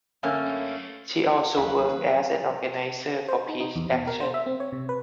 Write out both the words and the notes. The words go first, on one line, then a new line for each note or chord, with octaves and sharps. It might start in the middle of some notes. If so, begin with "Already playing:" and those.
She also worked as an organizer for Peace Action.
F#2 D3 A3 A#3 C#4
D#2 F#3 A#3 G#4 B4
C5
D#4
D#4
E2
B2
A#4
C5
E5
C4
C#5
C3
B4